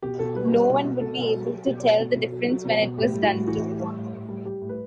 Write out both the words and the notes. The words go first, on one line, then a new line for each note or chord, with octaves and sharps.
No one would be able to tell the difference when it was done too.
B2 G4
B2 A4
G3 B4
G3
B2
B2
B2 A4
B2
F#3
F#3
B2
B2
B2
B2
F#3
F#3
B2
B2
A2 G4
G3
F#4
A2
E3 F#4
A2
G4
G3
A2
A2
G3
G3 G4
A2
B4